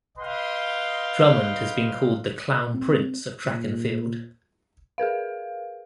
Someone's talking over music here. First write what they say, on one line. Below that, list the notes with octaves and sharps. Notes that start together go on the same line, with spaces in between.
Drummond has been called the "Clown Prince" of Track and Field.
B4 D#5 F5 G5 C6
C4
A#2
G#4 A#4 B4 F5